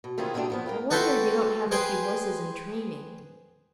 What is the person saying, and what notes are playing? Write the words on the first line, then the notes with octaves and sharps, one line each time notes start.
"I wonder you don't have a few horses in training."
B2
C3 D#3 E3 E4 F4 G#4
F#3 G#3 A3 C4 D4 G4
E2 F3 B3
A#4 F5 G5
F#4 A4 B4 C5 E5 G5
G#4 B4 C5 G5 G#5 C6